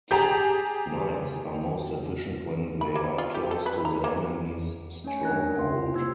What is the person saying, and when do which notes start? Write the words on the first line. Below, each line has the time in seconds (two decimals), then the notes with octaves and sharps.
Knights are most efficient when they are close to the enemy's stronghold.
0.11 G4 G#4 A5 A#5
2.81 B5
2.95 A#3
3.18 F4
3.34 G4
3.51 A4
3.66 B4
3.85 A#5
4.04 A#3
5.03 A3 C#4 D#4 C#5 G#5
5.23 D4 A#4 F#6 G#6 A#6
5.56 G5 C6
5.75 F4
5.94 A#3 C5 E6 G#6